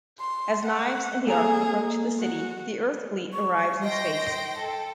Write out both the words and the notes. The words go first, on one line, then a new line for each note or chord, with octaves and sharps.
As Knives and the Ark approach the city, the Earth fleet arrives in space.
C6
F#5
A#3 G#4 A4 A#5
F#4
C#6
D#5 G5 C6 A#6
A4 G5